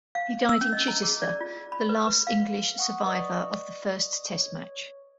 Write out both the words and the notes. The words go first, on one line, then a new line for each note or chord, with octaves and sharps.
He died in Chichester, the last English survivor of the first Test match.
F5
E6
C#4
D#5
A#5
G#4
D5
F4
B5
B4
B4
F5
F#5 C#6 D#6
B4 D5 D#5 C#6 D#6
C#5